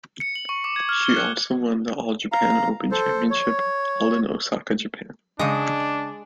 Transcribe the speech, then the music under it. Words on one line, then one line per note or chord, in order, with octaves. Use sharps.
She also won the "All Japan Open Championship" held in Osaka, Japan.
C#7
F#7
C#6
D6
G#6
F6
G7
F#6
F5 A#5
A4 C5
C#5
C#3 G#3 D4 D#5